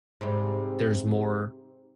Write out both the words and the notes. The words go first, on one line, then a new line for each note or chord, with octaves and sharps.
there's more,
G#2 C3 G3